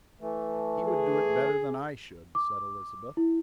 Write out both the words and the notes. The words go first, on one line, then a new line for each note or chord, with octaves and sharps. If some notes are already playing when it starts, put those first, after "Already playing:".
"He would do it better than I should," said Elizabeth.
E3 A3
G#4
D6
E4